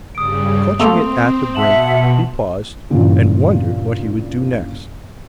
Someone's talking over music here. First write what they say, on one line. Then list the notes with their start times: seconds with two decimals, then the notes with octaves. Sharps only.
Clutching it at the brink, he paused, and wondered what he would do next.
0.15 G2 C#3 G3 D#6 D7
0.80 A3 A#3 C4 A4 C6 F7
1.55 B2 E5 F#5 A5 E7 F#7
2.90 G2 A#2 C#3 E3